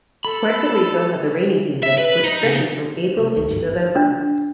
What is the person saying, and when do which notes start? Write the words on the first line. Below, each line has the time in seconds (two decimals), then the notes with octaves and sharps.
Puerto Rico has a rainy season which stretches from April into November.
0.25 A4 B5
1.83 E5
1.98 B4
2.24 D#4
2.43 C#3
3.17 C3 G#3 A4
3.36 D2
3.51 G1
3.96 D4